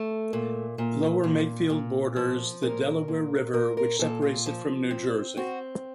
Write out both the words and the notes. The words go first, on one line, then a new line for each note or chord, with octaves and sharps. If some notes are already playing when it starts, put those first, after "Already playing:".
Lower Makefield borders the Delaware River which separates it from New Jersey.
Already playing: A3
A#2
A#2
A#2
A#2
F3
A#2 A#4
A#2
A#2 A#4
A#4
A#2 A4
F4
F3
C4
C4 F#4